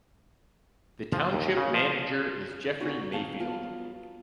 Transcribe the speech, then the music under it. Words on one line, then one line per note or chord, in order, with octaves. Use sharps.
The Township Manager is Jeffrey Mayfield.
F3
D#2
C#3
F3
B3 C#4 D#4 F4 F#4
A#2 D#3 C4 G#4 F5 A5
G2 F#3 B3 F4 A5